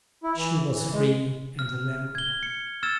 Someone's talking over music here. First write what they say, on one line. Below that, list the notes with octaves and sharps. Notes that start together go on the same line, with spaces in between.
She was free and alone.
E4
E3
E3
G#3
F6
G#6 G7
C#7
E6 F6 G#6 A6 E7